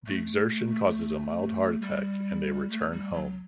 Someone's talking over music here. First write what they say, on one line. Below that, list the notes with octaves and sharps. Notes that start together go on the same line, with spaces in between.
The exertion causes a mild heart attack and they return home.
A3
G3
A3
G3
F#3